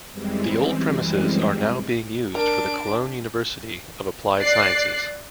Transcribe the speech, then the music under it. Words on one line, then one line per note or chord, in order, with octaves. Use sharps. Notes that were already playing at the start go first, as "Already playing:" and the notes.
The old premises are now being used for the Cologne University of Applied Sciences.
F#2 E3 G3 G#3 C4
D4 A#4 D7
D5 F#6 C7